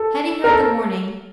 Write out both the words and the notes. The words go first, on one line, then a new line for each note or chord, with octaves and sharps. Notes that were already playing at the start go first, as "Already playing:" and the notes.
Hetty heard the warning.
Already playing: A4
A#4
A4